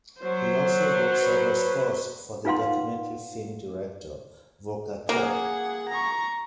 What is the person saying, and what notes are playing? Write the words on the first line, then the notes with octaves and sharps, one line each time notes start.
He also wrote several scores for the documentary film director Volker Koepp.
F#3 C5
B4
D#4 F4 B4 F5 F#5 C6
A#3 G#4 F#5
A#5 C#6